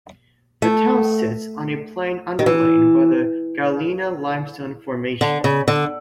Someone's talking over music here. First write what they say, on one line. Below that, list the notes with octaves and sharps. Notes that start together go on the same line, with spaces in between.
The town sits on a plain underlain by the Galena Limestone formation.
A3
D#3
E3
D3
C#3
D3